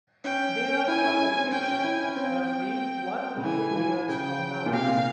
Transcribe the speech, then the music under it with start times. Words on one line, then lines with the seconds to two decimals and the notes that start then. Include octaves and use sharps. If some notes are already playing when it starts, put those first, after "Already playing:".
They are from the future: roughly one billion years from now.
0.24 C#4 G5
0.88 E4 G#5
1.04 C#4
1.13 E4
1.20 C#4
1.36 C4
1.47 C4
1.52 C#4 G5
1.68 C#4
1.84 E4 G#5
2.00 C#4
2.16 C4 G5
3.37 C#3
3.44 E3 G#5
3.71 F3
3.76 E3
4.08 C#3 G5
4.66 A#2
4.73 C3 F5
4.88 A#2